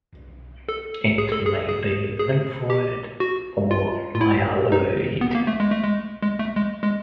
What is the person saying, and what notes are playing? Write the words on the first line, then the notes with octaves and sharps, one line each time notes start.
It may be lymphoid or myeloid.
A4
G#4
A4
G#4
G#4
G#4
G4
F#4
F4
F4
E4
D#4
B3
A#3
A3
G#3
A3
G#3
G#3
A3
G#3
G#3